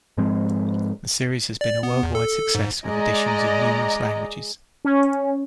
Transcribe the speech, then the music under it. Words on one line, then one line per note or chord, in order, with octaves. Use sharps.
The series has been a worldwide success with editions in numerous languages.
G#2 F3 G#3 C4
D5
B3
E2
A4
G#2
G#3 D5 D#5 A#5
C#4